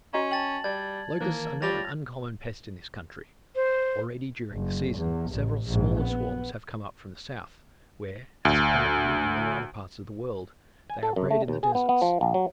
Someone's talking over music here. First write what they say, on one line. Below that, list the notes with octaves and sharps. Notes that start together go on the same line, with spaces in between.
Locusts are not an uncommon pest in this country: already during the season, several smaller swarms had come up from the south, where, as apparently in all other parts of the world, they are bred in the deserts.
C#4 F#4 D#5 A#5
G5 A5 A6 F#7
G3 D5 G#6
D#3 E3 A#3 A#4 C5
G3 F4 G4 C#5 A6 A#6 F7
C5
F#1
E2
A1
A#1 G#2
B3
D2
G#5
A4
F#2
A3
D#2
G#4
B3
B3
F3
A#1
F#3